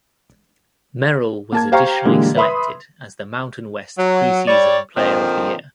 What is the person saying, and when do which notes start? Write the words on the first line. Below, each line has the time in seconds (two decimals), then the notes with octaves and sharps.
Merrill was additionally selected as the Mountain West Preseason Player of the Year.
1.52 A#3 A5 G#6
1.72 G4 C5 F5 G5 A#5 C#6
2.05 A#2 D3 E3 G3 G#3 A#3
2.36 B4 E5 B5 C6 D#6
3.98 F#3
4.47 G3 C#5 D5
4.97 A#2 D3 D#3 F3 C4